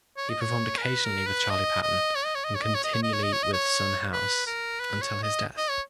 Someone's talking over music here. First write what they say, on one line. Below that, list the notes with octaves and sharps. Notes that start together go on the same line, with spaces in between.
He performed occasionally with Charley Patton and continually with Son House until his death.
C#5
D#5
C#5
A#4
B4
A#4
B4
D#5
D#5
C#5
D#5
C#5
D#5
C#5
D#5
C#5
D#5
C#5
D#5
C#5
D#5
C#5
D#5
C#5
B4
A#4
B4
C#5
D#5
D#5
C#5